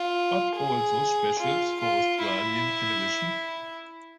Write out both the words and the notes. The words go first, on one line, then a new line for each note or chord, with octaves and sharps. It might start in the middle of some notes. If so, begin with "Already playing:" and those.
But Also specials for Australian television.
Already playing: F4
G#4
F4
F4
E4